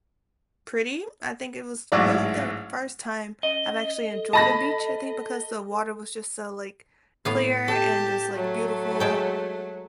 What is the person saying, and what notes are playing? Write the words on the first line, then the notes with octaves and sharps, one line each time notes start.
pretty, I think it was really the first time I've actually enjoyed a beach, I think, because the water was just so, like, clear and just, like, beautiful,
A1 G#2 F#3 E4 D5
C#4 D#5
A4
D#5 A5 B5 A#6
A2 B3 F5
G4 A4 A5
F#3 A3
G#3 A4 G5